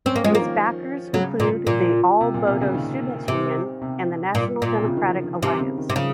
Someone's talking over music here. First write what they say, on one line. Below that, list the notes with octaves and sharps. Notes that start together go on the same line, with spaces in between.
His backers include the All Bodo Students Union and the National Democratic Alliance.
C4 C#4
A#3
F3 G#3
A#3
D#3
C#3 F#3
A#2
A#2
C3
A#2
C3
C#3
D#3
C3
C3
A#2
A#2
C3
C#3
D#3
F3
D#3
C3 D#3
C#3
D#3
C3
C#3 F3